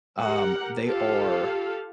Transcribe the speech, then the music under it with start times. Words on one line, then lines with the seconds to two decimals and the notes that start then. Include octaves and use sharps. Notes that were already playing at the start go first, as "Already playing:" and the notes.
um, they are
0.24 G4 A#4 F#5
0.84 F4 G4 A4 F5